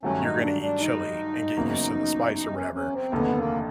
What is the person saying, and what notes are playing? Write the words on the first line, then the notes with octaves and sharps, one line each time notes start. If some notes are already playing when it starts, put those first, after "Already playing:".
you're gonna eat chili and get used to the spice or whatever.
G2 D#3 F#3 A3 C#4
D#4
D4
D4
D#4
F#1 E2 C#3 F#3 A#3
D#4
C#4
C#4
C4
F1 D#2 D3 B3
A#3